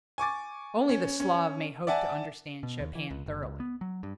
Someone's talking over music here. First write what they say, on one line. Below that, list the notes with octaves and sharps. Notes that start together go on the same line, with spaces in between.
Only the Slav may hope to understand Chopin thoroughly.
G#5 C#6 D6 A6
C#4
C#4
D5 E5 F#5 G#5 A5
B2
D#2
E3
C#2
F#1
C#2
B3
F#3
G2